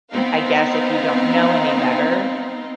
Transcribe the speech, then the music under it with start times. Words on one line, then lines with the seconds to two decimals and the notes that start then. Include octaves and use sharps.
I guess if you don't know any better,
0.11 B3 C4 D#4 F5